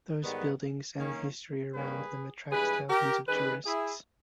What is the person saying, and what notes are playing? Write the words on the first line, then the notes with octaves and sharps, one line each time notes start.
Those buildings and the history around them attract thousands of tourists.
G#2 D#3 G3 B3
D#3 A#3 C#4
G2 D#3 G3 A#3 C#4 G#4 B4
G2 E3 G#3 G#4 B4
G4 A#4
D#3 G3 C#4 G#4 B4
E4 G#4